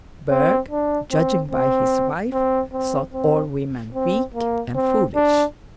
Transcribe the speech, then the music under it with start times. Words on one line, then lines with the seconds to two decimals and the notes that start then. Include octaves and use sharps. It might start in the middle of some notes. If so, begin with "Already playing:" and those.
Berg, judging by his wife, thought all women weak and foolish.
0.30 C4
0.71 D4
1.11 C4
1.51 C4
2.33 C4
2.73 C4
3.13 C4
3.94 C4
4.34 A#3
4.75 C4
5.15 D4